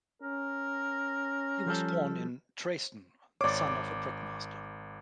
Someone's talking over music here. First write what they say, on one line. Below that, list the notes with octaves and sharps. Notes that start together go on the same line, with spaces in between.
He was born in Dresden, the son of a brickmaster.
C#4 A#4
F3 G3 A4
G#1 C#5 D5 D6